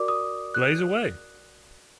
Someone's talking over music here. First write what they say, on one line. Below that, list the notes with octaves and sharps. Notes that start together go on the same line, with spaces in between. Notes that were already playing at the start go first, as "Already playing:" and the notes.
Blaze Away!
Already playing: F#4 A#4 D5 D6
D#6
F#6